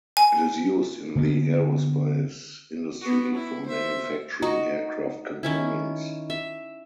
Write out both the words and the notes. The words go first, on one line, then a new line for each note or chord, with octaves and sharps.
It is used in the aerospace industry for manufacturing aircraft components.
G#5
D3 A#3 B3
B3 F#4
E4
C5 E5
D#4 F#4
D#3 C#4 E4
E5